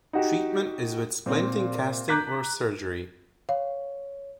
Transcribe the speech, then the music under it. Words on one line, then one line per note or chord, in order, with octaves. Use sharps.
Treatment is with splinting, casting or surgery.
D#4 F#4 G4
A#2 C4
A#5 D6 F#6 G6 B6
C#5 F5